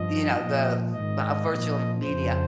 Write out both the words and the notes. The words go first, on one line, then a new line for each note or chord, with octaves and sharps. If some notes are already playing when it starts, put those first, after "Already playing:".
You know, the the, uh, virtual media,
Already playing: G2 F3 D#5
A#2 F3
G#2 D#3 D#5
A#2 F3
F2 C#3 F3 C5